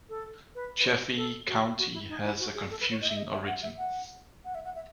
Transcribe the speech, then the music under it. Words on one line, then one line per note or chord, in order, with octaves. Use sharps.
Chaffee County has a confusing origin.
A4
B4
B4
C#5
A4
F#4
F#4
E4
D#4
E4
F#4
G#4
A4
B4
C#5
D#5
E5
D#5
E5
F#5
E5
F#5
F#5
E5
F#5
E5